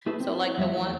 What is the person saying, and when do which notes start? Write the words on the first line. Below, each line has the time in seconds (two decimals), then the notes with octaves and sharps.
so like the one
0.06 A3 E4 G#4 A4 B4
0.20 C4 E4
0.57 F2 G3 E5
0.77 E2 A3